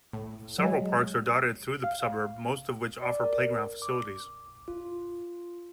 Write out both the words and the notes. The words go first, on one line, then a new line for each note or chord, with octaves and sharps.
Several parks are dotted through the suburb, most of which offer playground facilities.
A2
F#3 G#3
F5
D5
A#4
D6
F4